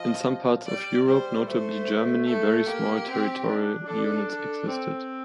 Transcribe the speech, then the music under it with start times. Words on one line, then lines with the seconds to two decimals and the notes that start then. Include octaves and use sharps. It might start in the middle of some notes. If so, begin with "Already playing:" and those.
In some parts of Europe, notably Germany, very small territorial units existed.
Already playing: F3 D#5
0.66 G3 D5
1.06 G3 C5
1.46 A3 C5
2.26 A3 A4
2.66 A#3 G4
3.07 C4
3.46 D4
3.86 D4 A4
4.27 A4
4.67 C4